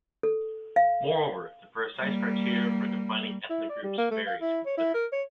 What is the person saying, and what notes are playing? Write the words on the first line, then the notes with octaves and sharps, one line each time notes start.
Moreover, the precise criteria for defining ethnic groups varies considerably.
A4
F5
G3 A#3
E4
D5
G3
A#3
A3
F5
E4
C#5
E4
A#4
C#5